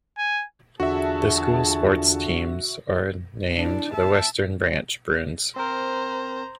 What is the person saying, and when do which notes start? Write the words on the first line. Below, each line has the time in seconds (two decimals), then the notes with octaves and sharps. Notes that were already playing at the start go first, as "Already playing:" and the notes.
The school's sports teams are named the Western Branch Bruins.
0.18 G#5
0.80 E2 D3 F4 F#4 G#4 E5 A5
3.55 D4 E4
3.93 E5 A5
5.56 C4 A#4 C5 A#5